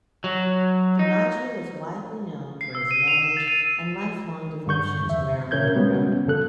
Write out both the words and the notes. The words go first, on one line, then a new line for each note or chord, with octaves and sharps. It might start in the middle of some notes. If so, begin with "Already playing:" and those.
DiMaggio is also widely known for his marriage and lifelong devotion to Marilyn Monroe.
F#3
D#4
C7
E6
D#7
F7
E7
A6
D#7
G2 D3 C#6 G6
E2 E5
A#2 C#3 C#4 A#4 G6 G#6
G3 G#3 B3 C#4 F#4
F#2 C#3 A4 F#6